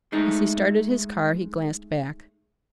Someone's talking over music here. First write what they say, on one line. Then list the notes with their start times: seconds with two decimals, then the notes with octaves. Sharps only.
As he started his car he glanced back.
0.12 G#3 A3 D#4